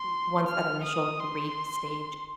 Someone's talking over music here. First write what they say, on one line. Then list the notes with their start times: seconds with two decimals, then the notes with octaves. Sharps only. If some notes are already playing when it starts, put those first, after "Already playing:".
O once that initial grief stage
Already playing: C6
0.47 F6
0.84 D#6
1.20 C6